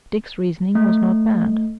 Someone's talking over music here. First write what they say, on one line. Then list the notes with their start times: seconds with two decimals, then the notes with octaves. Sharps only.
Dick's reasoning was not bad.
0.75 A3